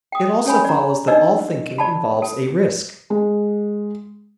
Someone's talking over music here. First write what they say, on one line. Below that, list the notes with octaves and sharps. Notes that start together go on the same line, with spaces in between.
It also follows that all thinking involves a risk.
G5 D#6
C#4 A4 C#5 G#5 B5
D5 A#5
D4 D#4 D5 D#5 E6
D5 A5 B5
A4
G#3